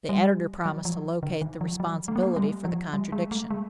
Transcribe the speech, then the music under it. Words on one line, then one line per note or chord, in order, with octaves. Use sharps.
The editor promised to locate the responsibility for the contradiction.
G3
F#3
F3
D3
D#3
F3
F#3
A3
A#3
A3
G3
F3
G3
G#3
A3
G#3